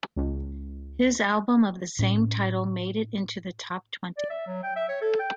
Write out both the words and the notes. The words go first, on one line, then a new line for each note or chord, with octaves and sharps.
His album of the same title made it into the Top Twenty.
C#2
A2 C#4
D5
E5
F#3
G5
E5
C#5
A4
G5